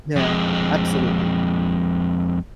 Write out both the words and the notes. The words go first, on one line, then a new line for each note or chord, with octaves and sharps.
Yeah, absolutely,
F2 G#3